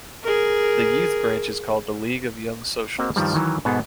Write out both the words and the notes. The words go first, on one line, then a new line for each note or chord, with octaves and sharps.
The youth branch is called the League of Young Socialists.
G#4 A#4
A#3 C4 F#4 D#5
G2 D#3 F3 G3
D#3 E3 F#3
G#2 B2 B3 G#4 A4